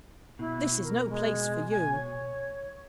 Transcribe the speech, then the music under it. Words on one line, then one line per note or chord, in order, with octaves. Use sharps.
'This is no place for you.'
B2 E4
A#4
G#3
G#5
C#5